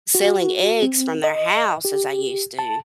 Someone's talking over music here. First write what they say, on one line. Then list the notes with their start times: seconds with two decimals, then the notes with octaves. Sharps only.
selling eggs from their house as I used to.
0.15 F#4
0.82 C4
1.24 D#5
1.85 G4
2.59 A5